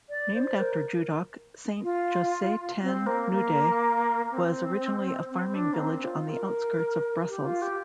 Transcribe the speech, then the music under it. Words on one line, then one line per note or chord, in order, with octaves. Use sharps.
Named after Judoc, Saint-Josse-ten-Noode was originally a farming village on the outskirts of Brussels.
D5
C5
A#4
F4
C4
A#3
A#3
C4
C4
D4
A#3
C4
F4
A#4
G4
F4
G4